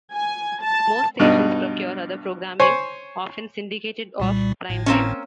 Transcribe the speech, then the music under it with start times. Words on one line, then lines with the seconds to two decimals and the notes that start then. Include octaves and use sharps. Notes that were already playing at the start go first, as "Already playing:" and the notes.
Most stations procure other programming, often syndicated, off prime time.
0.15 G#5
0.63 A5
1.19 G2 B2 D#4
2.60 C5 C#5 G#5
4.20 C2 A#2 G3
4.69 G#1 A2
4.86 A#3 C4 C#4